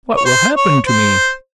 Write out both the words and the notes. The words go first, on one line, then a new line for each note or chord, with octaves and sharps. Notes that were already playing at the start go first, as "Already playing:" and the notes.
What will happen to me?
C#5
C5
C#5
C5